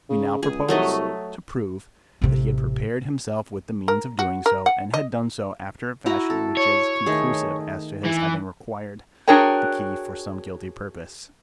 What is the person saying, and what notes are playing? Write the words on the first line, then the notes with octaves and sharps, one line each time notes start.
We now propose to prove that he had prepared himself with the means of doing so, and had done so after a fashion which is conclusive as to his having required the key for some guilty purpose.
C#3
C#2 G#4
C2 F#3 A3 D#5
A1 C3
A#4
F#4
A#4
F#5
D#5
E4 F#4 A#5
A4
C#5
D#3 A3 G#4
E3
D4 F#4 G#4 A#4 C#5 G5